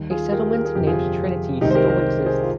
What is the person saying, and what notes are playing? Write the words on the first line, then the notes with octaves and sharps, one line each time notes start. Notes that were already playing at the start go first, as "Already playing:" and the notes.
A settlement named Trinity still exists.
Already playing: D#2 D#3 G3
F4 G#4
G4 A#4
A#4
G#4
G1 F2 C3 F3 G4
F4 G#4
C2 C3 D#3 G#3 D#4 G4
C5
G4 A#4
G4 A#4
G#4 C5
F4